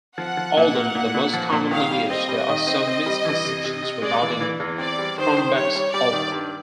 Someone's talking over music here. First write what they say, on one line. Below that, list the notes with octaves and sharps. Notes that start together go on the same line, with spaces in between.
Although the most commonly used, there are some misconceptions regarding Cronbach's alpha.
F3 F#5
F3
A#2
A#3
A#2
A#2
F3
A#2
D#3 F5
G3
C4 D#5
G3
D#3
C4
C4
G3
E3
C3
C3
C3
G#3 D5
E3
E3
E2
C4 D5
G3
D#3 C5
D#3
G3 C#5
G3
G3 D5
D#3
G2